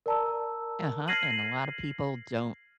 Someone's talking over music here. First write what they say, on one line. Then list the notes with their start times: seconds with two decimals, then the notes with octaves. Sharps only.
Uh-huh, and a lotta people don't
0.06 A#4 D5 A5 A#5 E6
1.08 F6 G#6 A#6 C7 D#7 F#7